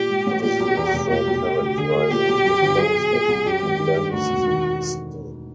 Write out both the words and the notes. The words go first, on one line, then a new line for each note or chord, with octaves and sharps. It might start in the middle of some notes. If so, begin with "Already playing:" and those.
It is used for characterizing the flows of condensed steam.
Already playing: A#2 G4
G#2
A1
A#2 G4
B1
E2
F1
A#2 G4
B1
C3
D2
D3 G#4
D2
A#2 G4
B1
F#2
G1
F#3 G#4
B2
A#2
C2
F#2 G4
G#1
D#3
G2
D2 F#4
E1
D#3